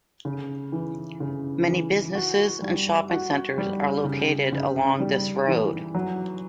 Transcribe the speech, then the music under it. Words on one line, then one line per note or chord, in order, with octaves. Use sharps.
Many businesses and shopping centers are located along this road.
C#3
E3
C#3
E3
F#4
G3
F#4
G3
C#3
C#3
G3
E3
F#3